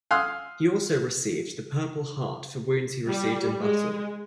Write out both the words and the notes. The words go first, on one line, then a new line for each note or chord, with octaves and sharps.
He also received the Purple Heart for wounds he received in battle.
F5 G#5 C6 D#6 E6 F#6
G3
G#3